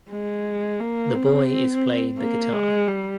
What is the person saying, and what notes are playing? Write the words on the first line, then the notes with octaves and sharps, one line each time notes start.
The boy is playing the guitar.
G#3
A#3
C4
A#3
G#3
G3